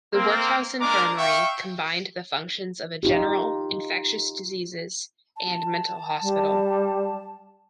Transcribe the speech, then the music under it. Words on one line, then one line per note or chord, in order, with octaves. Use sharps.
The workhouse infirmary combined the functions of a general, infectious diseases, and mental hospital.
A#3 C4
G#3 A#3 D4 A#4 A#5 D6
E5 F5 G5 C#6
D#4 F4 G4
A5
G3